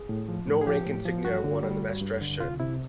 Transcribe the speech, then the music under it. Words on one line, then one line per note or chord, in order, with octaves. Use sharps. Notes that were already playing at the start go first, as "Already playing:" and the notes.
No rank insignia are worn on the mess dress shirt.
Already playing: G#4
A2
F3
A2
G#4
F3 G4
A2
F3
G2 F#4
D3
G3
G2
G2
D3
C2 F4
C3 E4